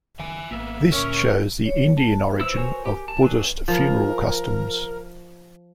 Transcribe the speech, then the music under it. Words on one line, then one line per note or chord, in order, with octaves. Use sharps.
This shows the Indian origin of Buddhist funeral customs.
F#1 D#3 E5 G#5
G#1 A#3 B3 E5
D2 A#2 C#4 A#4
C#5
A5
E4 B4 C5 E6
F#4 A#4 C5 C#5 G#5
G4
A5
F#3 D4 B4
F3 A#4